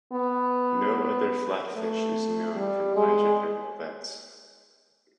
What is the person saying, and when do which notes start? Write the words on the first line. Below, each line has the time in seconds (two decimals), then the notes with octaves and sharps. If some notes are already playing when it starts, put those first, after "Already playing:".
No other flatfish is known from hydrothermal vents.
0.13 B3
1.75 A3
2.56 G3
2.96 G#3